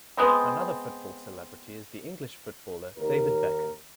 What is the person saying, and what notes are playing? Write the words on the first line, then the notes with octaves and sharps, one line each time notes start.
Another football celebrity is the English footballer David Beckham.
G#3 B3 C4
D#2 A#4